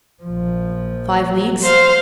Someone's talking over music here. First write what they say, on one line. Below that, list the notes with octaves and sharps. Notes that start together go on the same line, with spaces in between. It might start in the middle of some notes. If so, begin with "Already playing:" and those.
"Five leagues."
A#1 F3
C5 F5